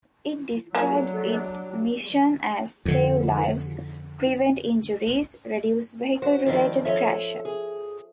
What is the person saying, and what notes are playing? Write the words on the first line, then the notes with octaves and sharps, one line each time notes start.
It describes its mission as Save lives, prevent injuries, reduce vehicle-related crashes.
F#3 A#3 D4 E4 G#4
F2 D3
F#4 C5
G2 D#3 F3 E4 D5
F3 A4 C#5 E5
G#4